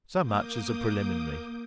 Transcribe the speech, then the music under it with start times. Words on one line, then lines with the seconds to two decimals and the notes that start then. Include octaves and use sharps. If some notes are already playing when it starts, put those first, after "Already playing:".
So much as a preliminary.
0.20 A#3 D6 D#6 G6